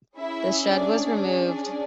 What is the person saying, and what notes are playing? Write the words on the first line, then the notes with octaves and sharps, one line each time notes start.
The shed was removed.
C#4 E4 G#4 E5
D4 D5
D4 D5